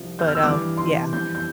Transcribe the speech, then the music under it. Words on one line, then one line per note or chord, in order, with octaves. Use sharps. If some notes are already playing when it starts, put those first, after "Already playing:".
But, um, yeah.
Already playing: C2 C3 F3
G6
F6
E6
G2 E3 G3 D6
C6
F2 E3 G3 G6
G6